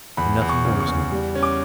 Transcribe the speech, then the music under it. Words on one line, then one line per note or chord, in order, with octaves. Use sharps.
"And nothing more is known?"
E2 B5
E2
C#6
C#3
C#6
E2
G3
C#4
D6